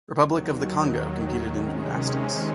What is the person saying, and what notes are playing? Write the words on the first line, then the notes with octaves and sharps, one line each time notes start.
Republic of the Congo competed in gymnastics.
D#2 D#3 F#3
C3 D#3 G#3 C#4